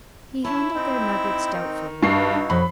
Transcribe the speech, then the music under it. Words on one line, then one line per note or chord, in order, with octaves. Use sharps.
He handled their nuggets doubtfully.
E4 C#5 E5 A5
C4 D#4 G5
D#3
G2 D#4 E4 F#4 C#6 C7
F2 B2 F#3 B5